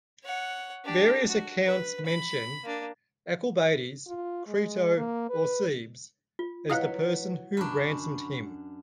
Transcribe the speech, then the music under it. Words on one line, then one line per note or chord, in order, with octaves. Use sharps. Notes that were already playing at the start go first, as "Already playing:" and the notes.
Various accounts mention Alcibiades, Crito, or Cebes, as the person who ransomed him.
C#5 F#5
D4 G4
F#4
B4
B5
A#3 D4
F4
G#3
A#3
B4
F4
F#3 E4 B4 C#5 D#5 F5 F#5
F#2 D4 B5 C#6